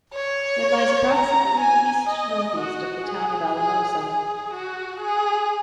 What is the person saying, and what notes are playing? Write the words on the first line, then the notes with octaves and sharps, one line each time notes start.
It lies approximately east-northeast of the town of Alamosa.
C#5
A#5
G#5
D#5
F#4
G#4
G#4
G#4
F#4
G#4